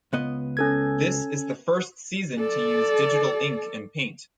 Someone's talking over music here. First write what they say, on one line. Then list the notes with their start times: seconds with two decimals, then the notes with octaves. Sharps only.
This is the first season to use digital ink and paint.
0.13 C#2 B3 D#5
0.57 C#4 A4 G#6
2.38 A4 D5